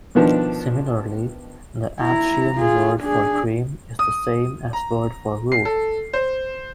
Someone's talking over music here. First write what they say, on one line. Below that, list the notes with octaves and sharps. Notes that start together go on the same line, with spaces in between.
Similarly, the Athshean word for "dream" is the same as the word for "root".
B2 D#3 F3 B3 D4
E4 A#5
F4 G#4
D4 G#4
D#6
A#5
C7
A4
C5